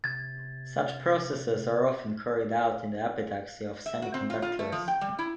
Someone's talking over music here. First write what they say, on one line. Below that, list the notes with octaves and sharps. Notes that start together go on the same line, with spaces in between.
Such processes are often carried out in the epitaxy of semiconductors.
C3 G#6 A6
E5
F#4
C4
F4
F4
A3
F3
G5
G3
E4